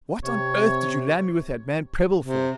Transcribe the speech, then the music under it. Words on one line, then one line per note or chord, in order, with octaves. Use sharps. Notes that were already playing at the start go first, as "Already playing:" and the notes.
'What on earth did you land me with that man Prebble for?'
C3 C#5
C3